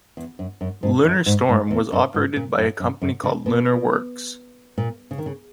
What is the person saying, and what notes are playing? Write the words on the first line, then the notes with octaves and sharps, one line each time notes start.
"LunarStorm" was operated by a company called LunarWorks.
E2
F#2
F#2
G#2
F#2
G#2
G#2
E2
F#2
G#2
A#2
F#2
F#2
F#2
C#3
B2
A#2
C#3
D#3
C#3